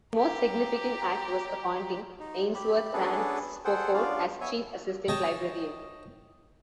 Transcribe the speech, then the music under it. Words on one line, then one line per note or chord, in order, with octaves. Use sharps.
His most significant act was appointing Ainsworth Rand Spofford as Chief Assistant Librarian.
G4 A#5
D#4
G4 B5
B3 C#4 D4 G#4 A4 B4
G#4 A4 C5 F#5 G5
B3 C#4 D4 F4 D5 F5
B3 C#5 E5 G#5
C#5 D#5 G5 A5